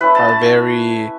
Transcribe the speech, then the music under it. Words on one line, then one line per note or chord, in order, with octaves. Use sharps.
are very
A3 C#4 E4 B4
A5
A5
G#5